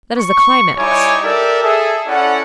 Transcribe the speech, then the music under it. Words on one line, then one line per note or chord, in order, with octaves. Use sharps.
That is the climax.
C#6
G3 D#4 E4 C#5 G#5 D6
G4 A4 A#4 D5 E5
G#4 A4 E5
C#4 E4 A4 D5 F#5